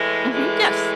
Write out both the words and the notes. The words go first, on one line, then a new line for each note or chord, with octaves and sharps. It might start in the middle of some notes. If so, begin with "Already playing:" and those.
Mhm, yes.
Already playing: A2 E3 G#3
A2 E3 G#3